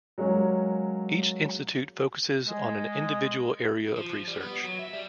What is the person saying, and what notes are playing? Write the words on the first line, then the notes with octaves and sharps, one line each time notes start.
Each institute focuses on an individual area of research.
F#3 G#3 A#3 C#4
G#3
F3
G3
B3
F#3
E5
G3